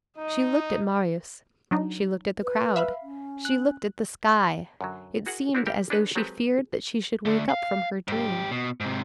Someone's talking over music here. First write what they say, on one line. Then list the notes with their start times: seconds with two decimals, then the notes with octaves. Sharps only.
She looked at Marius, she looked at the crowd, she looked at the sky: it seemed as though she feared that she should wake up from her dream.
0.18 D#4 D#5
1.71 F#3 D4 D#4
2.43 B4
2.76 E5 F5 B5
3.02 C#4
3.45 F#6
4.81 F#2 D3 F#3
5.26 E4 F#4 G#4 A#4 F#5
5.55 C4 D4 E4 F#4 A#4 D5
5.66 G3 G4 A#4
5.90 D4 D#4 G#4 A4 B4
6.15 F#3 G#3 C4 G4 A4 B4
7.26 D3 A3
7.49 F5
8.08 G#2 G4
8.51 B2
8.80 G#2 C3